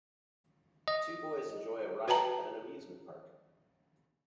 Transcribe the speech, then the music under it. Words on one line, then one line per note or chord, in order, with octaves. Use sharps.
Two boys enjoy a ride at an amusement park.
D#5
F#4 B4 G5 A5 A#5